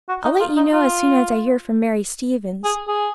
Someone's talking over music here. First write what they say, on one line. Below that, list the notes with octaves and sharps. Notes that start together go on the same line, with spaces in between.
"I'll let you know as soon as I hear from Mary Stevens."
F#4
D#4
F4
D#4
F4
G#4
G#4